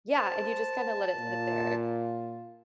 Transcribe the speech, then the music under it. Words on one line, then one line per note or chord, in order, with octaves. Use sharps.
Yeah, and you just, kinda let it sit there.
C5 A5
A#2 F4